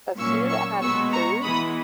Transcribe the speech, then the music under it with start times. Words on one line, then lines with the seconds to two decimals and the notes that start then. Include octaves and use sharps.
a few that had fruit
0.17 A#2 F#3 A#3 C#4 C#6 E6
0.49 C#6 E6
0.81 B2 G#3 B3 C#6 E6
1.12 A#5 C#6
1.43 E3 G#3 B3 B5 D#6